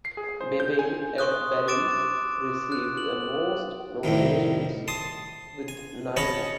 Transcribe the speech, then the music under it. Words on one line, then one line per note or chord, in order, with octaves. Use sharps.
Babae at Baril received the most nominations with nine.
C7
G#4
C5
G6
G#5
C6 C#6 D#6 F#6
D6 A6 D7 E7
F#6
F#7
C2 F2 A2 D#3
A5 C6 D#6
G#5
C#4 C#5 D#5 A5 B5